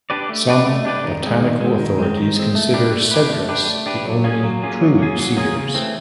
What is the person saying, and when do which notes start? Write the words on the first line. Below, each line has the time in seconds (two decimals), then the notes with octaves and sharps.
Some botanical authorities consider "Cedrus" the only "true cedars".
0.10 D4 G4 B4 D5
0.29 A3
0.48 D4 G4 B4 D5
0.66 A3
0.85 D4 G4 B4 D5
1.04 D#3
1.23 G#3 C4
1.41 D#3
1.60 G#3 C4
1.79 D#3
1.98 G#3 C4
2.17 D#3
2.36 G#3 C4
2.55 A3
2.74 D4 G4 B4
2.92 A3
3.11 D4 G4 B4
3.29 A3
3.49 D4 G4 B4
3.67 A3
3.86 D4 G4 B4
4.05 F#3
4.24 A#3 C#4 F4 G#4
4.43 F#3
4.62 A#3 C#4 F4 G#4
4.81 F#3
4.99 A#3 C#4 F4 G#4
5.19 F#3
5.37 A#3 C#4 F4 G#4
5.56 C#3
5.74 E3 A3 C4